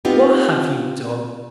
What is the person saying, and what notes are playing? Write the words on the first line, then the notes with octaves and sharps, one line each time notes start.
What have you done?
B3 C4 D#4 F4 G4